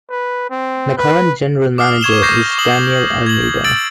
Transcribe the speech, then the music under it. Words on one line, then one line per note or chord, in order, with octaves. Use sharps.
The current general manager is Daniel Almeida.
B4
C4
B4
D6 D#6 F6 C7
C#6 G#6 E7 G7
C#6 G6 A#6 C7 E7
C#6 D#6 F#7
G#6 F#7
E6 A6 D7 F#7